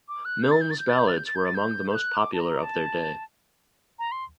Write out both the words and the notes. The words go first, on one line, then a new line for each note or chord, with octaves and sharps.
Milnes' ballads were among the most popular of their day.
D6
F#6
G6
A6
G6
A6
G6
A6
G6
A6
G6
A6
G6
A6
G6
G6
F#6
D6
A5
A#5
A5
A#5
C6